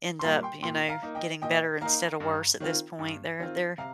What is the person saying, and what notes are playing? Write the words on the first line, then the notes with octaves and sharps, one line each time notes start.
end up, you know, getting better instead of worse at this point. They're they're
C6
A#2 G3 A#3 F5 A#5
G5 C6
A#2 G5 C6
F5 A#5
A#3 D#4
D#5 G5
A#2 D#5 G5
A#3 D#4 F5 A#5
G2
D#3 C4 F4
G2
D#3 C4 F4
C3 F5 A#5